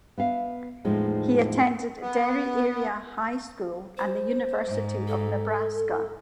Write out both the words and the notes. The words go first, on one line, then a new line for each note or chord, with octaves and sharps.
He attended Derry Area High School and the University of Nebraska.
B3 E5 F5
E2 A2 F3 G#3 D#4
B3
C5
G#2
A4